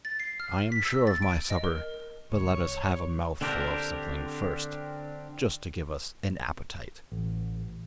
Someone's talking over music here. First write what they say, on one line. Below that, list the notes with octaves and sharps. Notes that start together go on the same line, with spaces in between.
'I am sure of my supper, but let us have a mouthful of something first, just to give us an appetite.'
A6
C7
F6
B6
E6
A6
D7
D#5
A#4
C#2 C#5 C#6
D3 C4 D4 G4 A#4
A1